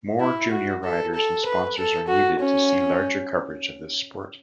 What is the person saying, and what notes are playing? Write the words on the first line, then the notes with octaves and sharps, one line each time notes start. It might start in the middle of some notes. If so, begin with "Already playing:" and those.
More junior riders and sponsors are needed to see larger coverage of this sport.
E4
F#4
A4
A4
B4
A4
F#4
C#4